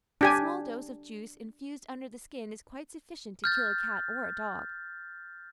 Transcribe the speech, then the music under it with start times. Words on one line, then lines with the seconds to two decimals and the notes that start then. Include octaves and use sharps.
A small dose of juice infused under the skin is quite sufficient to kill a cat or a dog.
0.21 D4 G4 G#5
3.44 F6 G6 A6